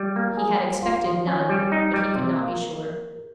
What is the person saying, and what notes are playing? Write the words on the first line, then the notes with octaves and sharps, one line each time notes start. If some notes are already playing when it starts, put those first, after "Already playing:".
He had expected none, but he could not be sure.
Already playing: G3
A#3
G#4
G3
F4
F3
C#4
G3
D#4
G3
C3
A#3
A#4